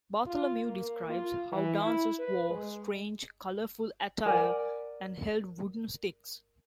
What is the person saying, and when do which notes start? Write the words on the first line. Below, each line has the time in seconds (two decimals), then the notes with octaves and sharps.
Bartholomew describes how dancers wore "strange, colorful attire" and "held wooden sticks".
0.26 F4
0.66 A#3
1.10 F4
1.52 E3
1.81 E4
2.19 B4
2.50 G#3
4.26 A#4 D5 F#5 G#5